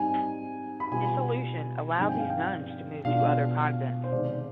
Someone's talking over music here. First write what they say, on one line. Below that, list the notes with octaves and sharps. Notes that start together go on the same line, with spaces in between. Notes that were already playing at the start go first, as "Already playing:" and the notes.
Dissolution allowed these nuns to move to other convents.
Already playing: G#2 G3 C4 D#4 G#5
B5
B2 G3 B3 F4 G#5
G2 F3 G#3 C4 D#4 G#5
G5
F5
G5
B2 G#3 D4 F4 F5
C5
C3 D#3 G#3 C4 D5